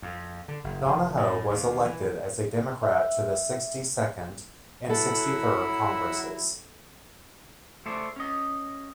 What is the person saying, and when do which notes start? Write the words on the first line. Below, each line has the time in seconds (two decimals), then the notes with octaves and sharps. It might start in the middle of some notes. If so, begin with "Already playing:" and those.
Donohoe was elected as a Democrat to the Sixty-second and Sixty-third Congresses.
0.02 F2
0.48 D3
0.64 F#1
0.86 F1
1.17 A2
1.49 D#2
1.85 E3
2.83 E5
4.89 F#3 E4 A4 F#5 B5 E6
7.86 A3 A4 C5 D5
8.16 C#4 D#5